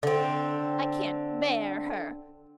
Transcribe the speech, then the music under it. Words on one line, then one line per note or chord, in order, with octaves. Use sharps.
I can't bear her.
D3 C4